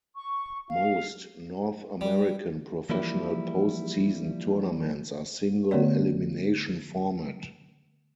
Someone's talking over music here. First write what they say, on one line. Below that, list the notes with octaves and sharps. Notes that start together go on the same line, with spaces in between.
Most North American professional post-season tournaments are single-elimination format.
C#6
F5
G3
E3 F3 G3 A#3 E4
D3 A3 B3 C#5 D5